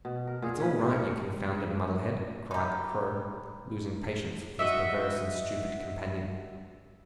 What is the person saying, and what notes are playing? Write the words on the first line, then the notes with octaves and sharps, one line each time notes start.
"It's all right, you confounded muddlehead!" cried the Crow, losing patience with his perverse and stupid companion.
B2
A#4
A#2 G#4
C#4 B4
C3 C4 D4
A#4 C#5
D#4 G4 A#5 B5
F#4 D#5 E5